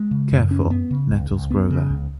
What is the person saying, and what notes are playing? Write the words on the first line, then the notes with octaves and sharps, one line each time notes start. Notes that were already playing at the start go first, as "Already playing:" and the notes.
Careful, nettles grow there.
Already playing: G#3
C#3
F#2
C#4
B3
C#3
C#2
C#2
B3
C#3
C#2